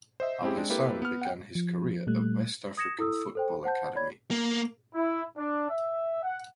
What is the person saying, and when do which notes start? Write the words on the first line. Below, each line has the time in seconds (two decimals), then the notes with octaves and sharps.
Alhassan began his career at West African Football Academy.
0.20 C5 D#5 E5
0.42 G#3 C4 C#4 E4 G4 G#4
0.57 G#3 C4 D4
0.70 A#3 C4 E4 G4 A4 B4
1.02 B3 F6
1.22 F#5 G5
1.55 F3
2.07 A#2 G3 A3 F#6
2.77 D#6 G#6 A#6 C#7 E7
2.99 E4 A4 D#6 E6
3.35 A4 C5 G5
3.64 C5 F#5 A5 G6
3.95 C#5 D5 B5 G#6
4.31 A#3
4.95 E4
5.36 D4
5.70 E5
6.23 F#5